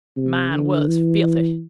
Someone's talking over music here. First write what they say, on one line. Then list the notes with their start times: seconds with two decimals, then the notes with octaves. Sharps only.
Mine was filthy.
0.17 C3
0.52 D3
0.88 E3